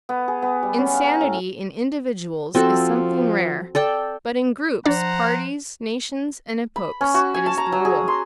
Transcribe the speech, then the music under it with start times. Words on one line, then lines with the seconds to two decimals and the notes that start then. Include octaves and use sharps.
Insanity in individuals is something rare--but in groups, parties, nations, and epochs it is the rule.
0.09 B3
0.28 G#4
0.42 B3
0.63 G3
0.78 C#4
0.93 F5
1.05 A#5
1.21 A2
2.55 F3 C4 F#4 A4
3.75 A4 D5 G5
4.86 F3 D4 C5 D5 F#5 A#5
6.76 B5
7.01 C#4
7.14 F#4
7.34 G#5
7.46 A5
7.58 A#5
7.72 F#3
7.85 G#4
8.08 C6